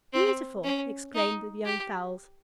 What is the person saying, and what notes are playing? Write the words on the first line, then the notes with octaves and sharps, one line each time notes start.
"Beautiful!" exclaimed the young fowls.
C4
C#4
D#4
G4